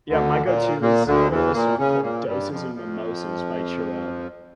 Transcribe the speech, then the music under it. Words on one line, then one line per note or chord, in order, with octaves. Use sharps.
Yeah, my go-to is a a song called Doses and Mimosas by Cherub.
D2 D3
A#2 A#3
A#2 A#3
D2 D3
E2 E3
A#2 A#3
C#3 C#4
A#2 A#3
G2 G3
F2 F3
F2 F3